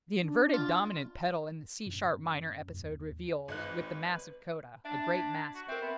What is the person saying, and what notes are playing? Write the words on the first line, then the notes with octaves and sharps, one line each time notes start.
The inverted dominant pedal in the C sharp minor episode reveals, with the massive coda, a great master.
D4
F4
F#2
D#2
G#1 B4 D#5 F#6
D4 E5
G#6 B6
F#4
C4 A#4 E5
B3